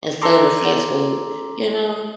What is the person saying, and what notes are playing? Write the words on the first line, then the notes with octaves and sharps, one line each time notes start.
instead of fast food, you know?
A4 A#5 C6 D6